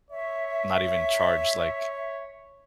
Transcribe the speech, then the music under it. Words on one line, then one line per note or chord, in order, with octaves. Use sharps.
not even charge, like
C#5 E5